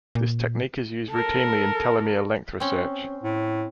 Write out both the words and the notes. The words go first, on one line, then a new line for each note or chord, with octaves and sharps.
This technique is used routinely in telomere length research.
A#2
A4 A#4
C4 C#4
A2